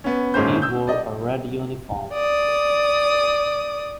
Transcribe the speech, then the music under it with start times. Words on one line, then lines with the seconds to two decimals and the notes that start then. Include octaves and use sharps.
He wore a red uniform.
0.04 B3 C#4
0.34 D#1 G#2 A#3 C#4 C5 G6
0.62 E6 G6
0.87 D5 D#5
2.13 D5 D#6